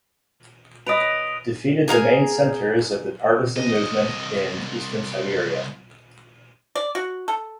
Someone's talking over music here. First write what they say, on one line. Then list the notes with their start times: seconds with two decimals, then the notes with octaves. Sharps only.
Defeated the main centers of the partisan movement in Eastern Siberia.
0.86 B4 D#5 D#6 D7 F7
1.88 G#4 A#4 F5 G#5
3.56 C2 D#5
6.75 D5
6.95 F#4
7.28 A4